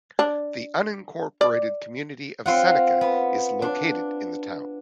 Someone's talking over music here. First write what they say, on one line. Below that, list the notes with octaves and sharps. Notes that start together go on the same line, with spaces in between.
The unincorporated community of Seneca is located in the town.
D4
D5
C4 F4 F#5
B3
D4